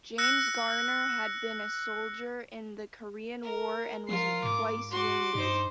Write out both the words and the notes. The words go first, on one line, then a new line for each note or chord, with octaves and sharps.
James Garner had been a soldier in the Korean War and was twice wounded.
E6 F#6 A#6 C#7
A#4
F3 F4 A#4 C7
G#2 D6
F#4 C6 D6
G2 D#4 C5